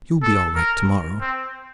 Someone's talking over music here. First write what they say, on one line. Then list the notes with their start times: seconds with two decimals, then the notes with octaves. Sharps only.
"You'll be all right tomorrow."
0.23 A4
0.55 A#4
1.21 C4